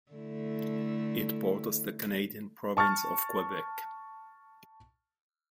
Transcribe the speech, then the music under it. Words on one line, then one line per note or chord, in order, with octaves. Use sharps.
It borders the Canadian province of Quebec.
D3 A3 E4
A5 C#6 F6 A6